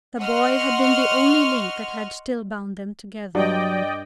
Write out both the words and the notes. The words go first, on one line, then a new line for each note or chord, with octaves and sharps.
The boy had been the only link that had still bound them together.
D#5 F#5 C6 C#6 F6
G2 F#3 D5 D#5 G5